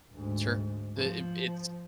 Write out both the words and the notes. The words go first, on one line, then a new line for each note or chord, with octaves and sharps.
Sure, it it it's,
D2 G#2
F3